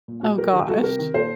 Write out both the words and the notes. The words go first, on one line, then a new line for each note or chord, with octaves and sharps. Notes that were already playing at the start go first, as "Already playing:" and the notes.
Oh, gosh.
A#2
A#2 F#4
F#3 G4 A#4
D#3 D#4 G4
G3 F#4 A4
C3 G4 A#4
D#3
A#2 A4 C5